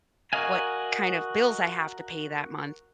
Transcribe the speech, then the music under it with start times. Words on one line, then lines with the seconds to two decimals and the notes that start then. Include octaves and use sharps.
what kind of bills I have to pay that month,
0.33 F#4 A#4 D#5 F5 G#5